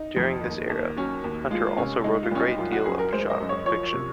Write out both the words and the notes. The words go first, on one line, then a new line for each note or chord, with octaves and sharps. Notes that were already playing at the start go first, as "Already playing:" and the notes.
During this era, Hunter also wrote a great deal of genre fiction.
Already playing: D#4
F2
D#2
D#2
F#3 C#4
D#2
G#3 F4
C3 C#4
G#3 D#4
F4
C2 C#4
D#4
F#2 F4
F#4
F#2 G#4
A#4
G#3 C5
D#5
F#2
C#5
F3 C#5
C3